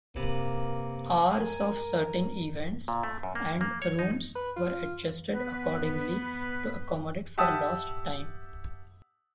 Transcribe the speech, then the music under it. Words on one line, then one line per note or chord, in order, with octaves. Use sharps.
Hours of certain events and rooms were adjusted accordingly to accommodate for lost time.
C3 A#3 B4
A#4 G#5
A#2
A3
F#2
A#3
A#3
C#5
D#4
B4
F4
B3 B4
G4 E5 F#5 A5 D#6 E6